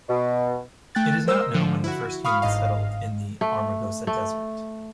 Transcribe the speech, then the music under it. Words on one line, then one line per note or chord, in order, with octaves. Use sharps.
It is not known when the first humans settled in the Amargosa Desert.
B2
A3 G5 F#6 A6
A#4 C5 D#5 E6
D3 F3
E4 F#4
F5 B5 C#6 D#6 F6
G1 G#2 D#5 F5
A3
A3